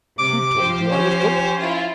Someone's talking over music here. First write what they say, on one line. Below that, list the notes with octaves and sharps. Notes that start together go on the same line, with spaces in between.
"Who told you I was going?"
C3 D6
F3 G4 C5
C#4
E4 F4